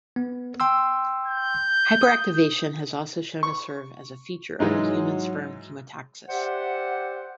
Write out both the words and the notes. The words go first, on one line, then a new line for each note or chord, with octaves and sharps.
Hyperactivation has also shown to serve as a feature of the human sperm Chemotaxis.
B3
G5 C6 E6
G6
D#6
C#6
G#2 E3 F#3 G#3 D#4
G4 C5 D5 E5 F#5